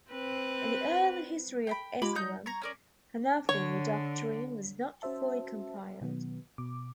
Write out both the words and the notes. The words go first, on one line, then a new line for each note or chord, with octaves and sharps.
In the early history of Islam, Hanafi doctrine was not fully compiled.
C4 B4
G5 G#5 B5
G#3 F4 G4 B5 D6
G3 D#4 G6
A#5 C#6 G#6 A#6
C#4 A#4 D5
D3 C#5
C#4 F#4 C5 E5 A5
B2 D#3 F#3 B3
B2 D6